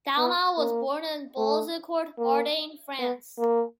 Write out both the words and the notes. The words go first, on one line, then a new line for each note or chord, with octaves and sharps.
Daumal was born in Boulzicourt, Ardennes, France.
B3
A#3
A3
A#3
B3
A#3